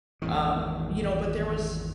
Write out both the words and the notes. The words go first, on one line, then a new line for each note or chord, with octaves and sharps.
um, you know? But there was,
G#1 E2 D#3